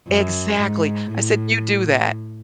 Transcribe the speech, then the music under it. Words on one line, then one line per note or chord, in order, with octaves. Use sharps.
Exactly. I said, "You do that,
F#2
G#2
A2